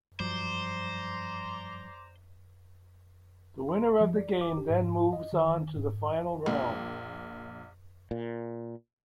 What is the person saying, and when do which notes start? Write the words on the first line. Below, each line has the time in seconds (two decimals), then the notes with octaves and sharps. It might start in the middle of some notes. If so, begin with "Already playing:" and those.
The winner of the game then moves on to the final round.
0.20 G2 F3 F#3 C5 D5 A#5 C6
3.69 C6
4.01 F3
4.16 D5
4.41 D6
4.57 G4
4.70 G#2
5.13 D#5
5.33 D#3
5.76 G#2
6.46 A#1 A#3
8.11 A#2